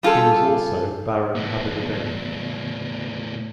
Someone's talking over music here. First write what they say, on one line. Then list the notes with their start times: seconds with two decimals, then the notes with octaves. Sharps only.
He was also Baron Abergavenny.
0.03 G3 F4 G#4 A4
1.35 A2 B3